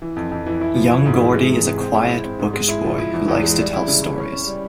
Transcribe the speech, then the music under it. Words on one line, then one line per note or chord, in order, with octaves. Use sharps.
Young Gordie is a quiet, bookish boy who likes to tell stories.
E3
F2
F2
E3
E4
F3
E4
G#2
E3
G#3
C3
G#3
C4
E4
E4
C4
G#2
G#3
E4
F3
E4
E2
E2
G#3
G3
E4
C#3
E4
C#4
C#4
G3